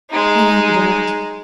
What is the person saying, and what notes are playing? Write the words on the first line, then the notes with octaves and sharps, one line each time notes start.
'I am glad.
G#3 D#4